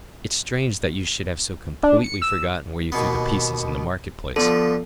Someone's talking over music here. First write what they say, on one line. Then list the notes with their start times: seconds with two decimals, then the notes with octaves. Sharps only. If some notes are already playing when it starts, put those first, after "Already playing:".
"It's strange that you should have so completely forgotten where you threw the pieces in the market-place."
1.83 D4
2.04 C#7
2.22 E6
2.92 D#2 B2 B3
4.36 D3 F3 B3 A4